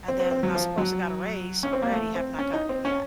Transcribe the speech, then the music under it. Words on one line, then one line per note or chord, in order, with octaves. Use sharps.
And then I supposed got a raise already, have not gotten it yet.
C4
C4
C4
F#3
F3
F#3
C#4
C4
A#3
A3
C4
C#4
D#4
C4
C#4